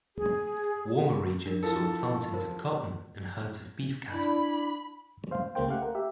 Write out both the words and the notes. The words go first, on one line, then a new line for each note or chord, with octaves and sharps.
Warmer regions saw plantings of cotton and herds of beef cattle.
G#4
D4 A#4
F3 E4 F4 A4 A#4
F4 A#4 C5
D4 E4 B5
C5 F5
C#2 C#3 G#3 A#3 C5 G5
A3 G4 F5 F#5
A#4
G4 E5